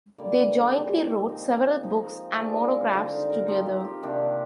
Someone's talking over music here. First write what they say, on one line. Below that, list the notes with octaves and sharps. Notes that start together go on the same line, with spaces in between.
They jointly wrote several books and monographs together.
D3 G3 A#3 D5
D#3 G#3 D#4
F3 C4 D#4 C5
F3 C4 D#4
F3 G#3 D4 D5
D#5
F5
D3 G3 C4 D#4 G5
F5
A#4
F3 C4 D#4
G4
F4 G4
C3 D#3 A#3 D4 G4